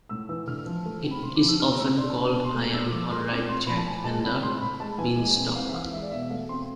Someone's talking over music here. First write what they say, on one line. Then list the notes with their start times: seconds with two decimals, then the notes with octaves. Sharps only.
It is often called I'm Alright Jack and The Beanstalk.
0.09 A2 E6
0.29 E3 E6
0.47 D3 F6
0.66 F3
0.86 A3
1.04 C4
1.11 B5
1.22 D3 C6
1.36 D6
1.41 F3
1.48 E6
1.60 B2 F6
1.79 A3 E6
1.98 D4 C6
2.17 B2 B5
2.35 B2
2.45 C6
2.55 A3
2.73 A2 E6
2.92 F3 D6
3.11 G#3 C6
3.29 C4 D6
3.48 A2 C6
3.67 F3 B5
3.77 A5
3.86 A2 G#5
4.04 G#3 A5
4.24 C4 B5
4.42 A2 C6
4.62 A2 B5
4.79 G#3 A5
4.98 E3 G#5
5.17 G#3
5.36 C4
5.55 E3 F5
5.68 E5
5.73 E3 F5
5.93 G#3 E5
6.02 D5
6.11 B2 E5
6.30 A3 F5
6.49 C4 C6